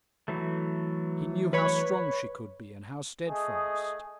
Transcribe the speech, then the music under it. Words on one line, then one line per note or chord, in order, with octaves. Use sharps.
He knew how strong she could be, and how steadfast.
E3 F#3 A3
B4 C#5 B5
A3 G#4 D#5